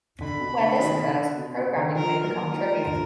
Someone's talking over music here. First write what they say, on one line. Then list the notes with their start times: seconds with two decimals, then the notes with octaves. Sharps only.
Where this occurs, programming may become trivial.
0.21 D3 B5
0.40 B2
0.60 D3
0.79 B2 D#3
1.00 D#3
1.08 D3
1.37 B2
1.57 B2
1.76 D3
1.95 D3 F3 A#4
2.24 F#3 A#3 A#4
2.54 F3 G#3
2.83 D3 F3